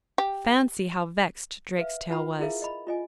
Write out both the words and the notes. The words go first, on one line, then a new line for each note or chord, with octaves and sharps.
Fancy how vexed Drakestail was!
G4
B4 E5 F5
F4 B4 F#5 A5 B5
E4 G#4 A#4 E5 F5
D#5 B5
F4 D#5 G#5